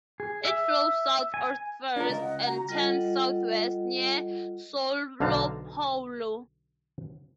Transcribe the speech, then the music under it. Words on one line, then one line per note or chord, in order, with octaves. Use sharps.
It flows south at first, and turns southwest near Soulopoulo.
G#4
E5
G#5
D4 F4 A#4
C#2 D#5
F#5
F#4 A#5
G3 F4 A4 D#5 F#5
B1 D3 C5 F5 A5 A#5